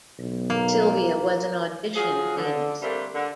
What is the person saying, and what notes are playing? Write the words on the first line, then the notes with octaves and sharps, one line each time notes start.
Sylvia was an audition pianist.
B1
A#3
F3 F#3 G#4
D3
D3 G3 A3 A#3 C4 D4
D3